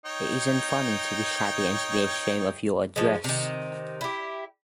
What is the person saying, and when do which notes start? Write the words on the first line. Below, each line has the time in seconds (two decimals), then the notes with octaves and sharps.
It isn't funny to be shabby and to be ashamed of your address.
0.06 D#4 C#5 G5
2.96 F3 G#3
3.24 C3 D#3
4.01 E4 G4